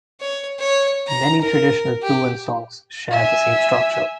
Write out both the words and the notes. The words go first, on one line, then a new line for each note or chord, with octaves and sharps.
Many traditional Tuvan songs share the same structure.
C#5
C#5
A#5
A#4
G4
E5 G#5